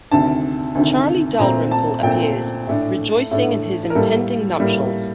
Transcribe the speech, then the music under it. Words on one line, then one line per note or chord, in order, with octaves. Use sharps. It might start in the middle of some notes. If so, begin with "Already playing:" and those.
Charlie Dalrymple appears, rejoicing in his impending nuptials.
D2 C3 D#3 A5
D2 C3 D#3
A#2 A3 C4 A#5
A5
A#2 A3 C4 G5
A2 A3 D4
A2 A3 D4
A#4
A2 G3 A#3 A4
A2 G3 A#3